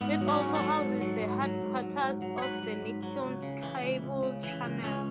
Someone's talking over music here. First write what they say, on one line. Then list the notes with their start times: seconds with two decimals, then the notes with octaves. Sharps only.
It also houses the headquarters of the Nicktoons cable channel.
0.01 G#2 B3
0.21 F#3
0.28 C#4
0.41 G#2
0.55 A4
0.61 F#3
0.81 G#2
1.01 F#3
1.22 G#2
1.42 F#3
1.62 G#2
1.82 F#3
2.02 G#2
2.22 F#3
2.38 C#5
2.42 G#2 B4
2.63 F#3
2.82 G#2
3.03 F#3
3.23 C#2
3.43 C#3
3.63 E3
3.82 C#2
4.03 C#2
4.23 C#3
4.43 E3
4.63 C#2
4.83 C#2 C#4